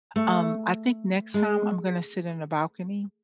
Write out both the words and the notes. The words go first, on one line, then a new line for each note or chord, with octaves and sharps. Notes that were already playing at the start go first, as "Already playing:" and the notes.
um, I think next time I'm gonna sit in the balcony
A3
G#3